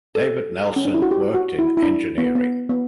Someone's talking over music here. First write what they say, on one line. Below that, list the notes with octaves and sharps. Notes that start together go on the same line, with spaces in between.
David Nelson worked in engineering.
A4
C#4
D4
E4
F#4
G4
F#4
E4
E4
D4
B3
B3
B3